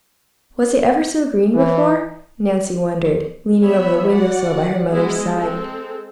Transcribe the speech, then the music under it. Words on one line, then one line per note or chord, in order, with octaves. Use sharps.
"Was it ever so green before?" Nancy wondered, leaning over the window-sill by her mother's side.
E3
B3 C#5 E5 B5
F#4 D5 F#5
G#3 B3 E4 F#4 G#4
G#3 C4 A4